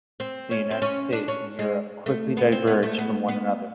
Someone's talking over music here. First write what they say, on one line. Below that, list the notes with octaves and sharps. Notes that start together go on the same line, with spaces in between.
The United States and Europe quickly diverged from one another.
C4
C#4
C4
C#4
D4
C#4
G#3
A3
B3
C4
B3
A3
B3
B3